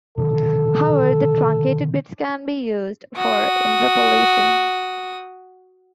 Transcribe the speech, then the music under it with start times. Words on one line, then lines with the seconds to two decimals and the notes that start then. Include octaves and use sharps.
However, the truncated bits can be used for interpolation.
0.18 B2 D3 D#3 A4
3.18 F#4 D#6